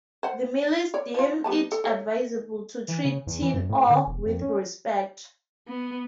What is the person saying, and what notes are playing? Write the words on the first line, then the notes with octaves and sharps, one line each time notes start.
The Malays deem it advisable to treat tin ore with respect.
C5 F#5
C#5 D5
F3 F4
G3 B3 A5
A4
A4 C#5
E3
C#3
E2
E3
F#2
A2
D3
E1
F2
C#4
B3